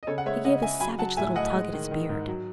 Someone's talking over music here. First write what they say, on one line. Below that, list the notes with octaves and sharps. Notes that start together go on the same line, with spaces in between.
He gave a savage little tug at his beard.
D#5
C#3 A4 C#5
F#5
G#3 C#5 E5
C#3 D#5 F#5
C#3 E5 G#5
F#3 G#5 B5
F#3 F#5 A5
A2 E5 G#5
A2 D#5 F#5
G#3
D#3
D#3
G#2
F#3